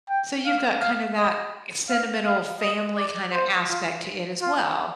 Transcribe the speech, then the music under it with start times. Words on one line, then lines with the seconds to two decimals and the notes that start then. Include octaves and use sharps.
So you've got kinda that sentimental family kinda aspect to it as well.
0.09 G5
0.46 F5
0.81 F5
1.17 D#5
1.90 F5
2.26 F5
2.61 D#5
2.97 D5
3.33 C5
3.70 F4
4.42 F4